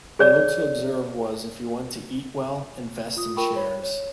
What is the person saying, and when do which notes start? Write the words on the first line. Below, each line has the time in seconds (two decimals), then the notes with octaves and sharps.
The rule to observe was if you want to eat well, invest in shares.
0.19 G#4 C#5 D5
3.16 F4 D#6
3.37 F4 A#4 G5 B5 C#6
3.56 C#5 B5
3.83 C#5